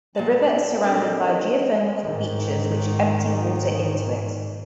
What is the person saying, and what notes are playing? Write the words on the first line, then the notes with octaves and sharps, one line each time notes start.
The river is surrounded by geothermal features which empty water into it.
A#2 F#5 A5
C4 D4 D#4 G4 A4 A#4
G#2 D#3